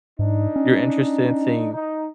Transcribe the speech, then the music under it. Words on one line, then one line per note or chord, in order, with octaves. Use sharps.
you're interested in seeing
G#2 D4 D#4
C#4
D#4